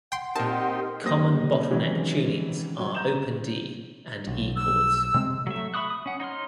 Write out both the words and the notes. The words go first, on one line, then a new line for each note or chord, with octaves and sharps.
Common bottleneck tunings are open D and E chords.
F#5 G5 C6
A#2 C4 D#4 G4 A#4 A5
F#2 A#3 G4 C5 D#6 A#6
C3 D#3 E3 F#3 G#3 C#4
F#3
A#5 G6 E7
B1
E6
C3 G#3 C4
F#3 A3 E5
E5 B5 C#6 D#6 F#6
D#6
C#4 F#5
D#4 C#5 C6 F6